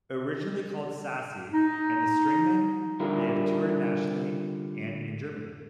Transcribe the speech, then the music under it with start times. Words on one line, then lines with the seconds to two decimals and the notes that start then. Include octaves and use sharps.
Originally called Sassy and the Stringman they have toured nationally and in Germany.
1.52 D#4
3.00 D3 G3 E4 F4 A#4